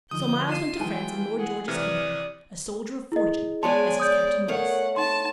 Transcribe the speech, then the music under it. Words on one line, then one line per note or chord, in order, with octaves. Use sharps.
So Myles went to France in Lord George's company, a soldier of fortune, as his Captain was.
D2 F3 D#4 D#6 G6
F4 C7 D#7 E7
E3 F#3 G#3 G5 G#5
G#4 F#5
C3 E3 D5 D#6 F6
E4 G#4 D#5
G#3 B3 C#5 D5 G#5 A5 C6
D5 D#6 G6
A3 A#4 C#5 F5 F#5
D#4 A5 C6